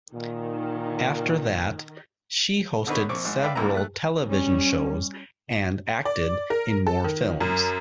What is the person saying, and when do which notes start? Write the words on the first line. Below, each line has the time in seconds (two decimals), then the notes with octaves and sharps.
After that, she hosted several television shows and acted in more films.
0.14 A#2 D#3
2.87 D3 D#3 B3 D#4 B4 C#5
3.09 A#1 C4 C#6 D6
3.24 G#1 G#2
3.42 B4 D5 E5 F5 G5
3.55 G#1 C#2 G2 E3 A#3 A#5
3.75 A3 F#6
4.25 G3 C#4
6.05 D5
6.50 A#4
6.87 A4
7.04 D#3
7.41 F#2